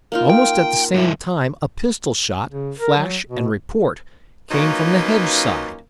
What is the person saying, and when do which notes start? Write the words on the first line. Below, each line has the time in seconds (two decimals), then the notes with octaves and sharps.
Almost at the same time a pistol-shot, flash and report, came from the hedge side.
0.12 A#3 D#4 F4
0.30 G5
0.94 G2 E4
2.50 C#3
2.78 A#4
2.98 F#3
3.28 B2
4.51 F#3 A#3 C#4 D#4 F4 B4